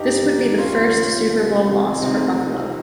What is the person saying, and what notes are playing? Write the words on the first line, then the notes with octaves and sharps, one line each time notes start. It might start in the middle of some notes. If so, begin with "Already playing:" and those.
This would be the first Super Bowl loss for Buffalo.
Already playing: G2 D#4 G4
D#3
D#2 C#4 F4
C#3 F3
C2
C3 D#3
C#2 C4 D#4
C3 F3